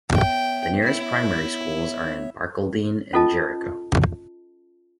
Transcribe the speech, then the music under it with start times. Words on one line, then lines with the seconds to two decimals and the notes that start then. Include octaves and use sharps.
The nearest primary schools are in Barcaldine and Jericho.
0.14 B3 C#5 E5 G5
0.84 E4
3.13 C#4 F4 A4 D#5 A5